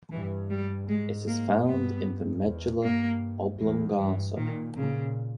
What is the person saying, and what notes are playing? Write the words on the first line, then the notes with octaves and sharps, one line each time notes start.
It is found in the medulla oblongata.
G2 E3
G3
G#2 G#3
A#3
G2 B3
E2
G2 A#3
E2 G#3
G2 E3
A#2 D#3
A#2 C#3